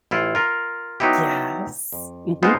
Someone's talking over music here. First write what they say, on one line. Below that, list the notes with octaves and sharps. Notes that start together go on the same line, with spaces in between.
Yes. Mhm.
A1 E4 F4
F4 A#4
F#3 B3 D#4 E4 G4
F2
G#3 B3 D#4 F4 C5